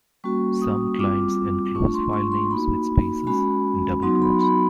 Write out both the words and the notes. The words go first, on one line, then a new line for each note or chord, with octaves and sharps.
Some clients enclose filenames with spaces in double quotes.
G3 A#3 C#4 F#4 C#6
D#6
G3 C4 F4 D6
A3 D4 F4 C#6
C6
C#6
C6
A#3 D#4 F#4 B5
G#3 C#4 F#4 B5
F#3 B3 D#4 F#4 C6
B5
B5